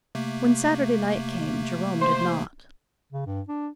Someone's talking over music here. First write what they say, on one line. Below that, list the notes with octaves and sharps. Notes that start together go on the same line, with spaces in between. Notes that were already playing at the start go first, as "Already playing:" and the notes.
When Saturday night came Jerome did not.
C3 A3 A#3
C5
C#3
G2
D4